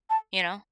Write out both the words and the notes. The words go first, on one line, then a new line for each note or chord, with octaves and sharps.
you know?
A5